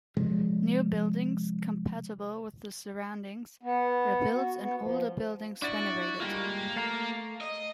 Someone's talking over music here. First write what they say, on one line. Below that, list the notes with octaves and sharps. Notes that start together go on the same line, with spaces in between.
New buildings, "compatible with the surroundings", were built and older buildings renovated.
C3 F3 G#3
B3
F#4
B3
F3
D4 E4 F#4 D5
G3 G#3 A#3 F4
A3 F5 A#5
D#5